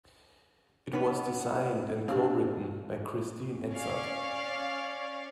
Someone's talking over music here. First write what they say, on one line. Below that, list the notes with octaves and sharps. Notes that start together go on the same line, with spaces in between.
It was designed and co-written by Christine Edzard.
B3 C#4 D#4 B4 C#5
C4 D4 G4 F5
C#4 C#5 D5 F5